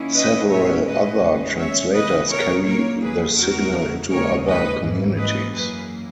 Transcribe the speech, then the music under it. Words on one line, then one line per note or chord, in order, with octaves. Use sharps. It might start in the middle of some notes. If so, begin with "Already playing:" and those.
Several other translators carry the signal into other communities.
Already playing: D#3 A#3 C#4 E4
B4 D#5
A#2 G#3 C#4 C#5 E5
B4 D#5
E2 C#3 G#3 C#4
C#5 E5
C#3 E3 B3 B4 D#5
A#4 C#5
A#2 F#3 A#3 A#4 C#5
G#4 B4
E2 C#3 F#3 B3 E4 F#4 A#4
D#2 C#3 G#3 D#4 A#4 C#5
B4 D#5
G#2 E3 A#3 C#4
B4 D#5
F#2 E3 A#3 G#4 B4